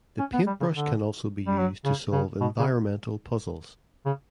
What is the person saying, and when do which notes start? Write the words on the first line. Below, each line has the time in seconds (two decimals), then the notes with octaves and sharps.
The paintbrush can also be used to solve environmental puzzles.
0.19 C#4
0.33 B3
0.46 G3
0.60 C#3
0.74 D3
1.46 G3
1.57 F#3
1.85 C#3
2.12 C#3
2.40 B2
2.59 C#3
4.05 C#3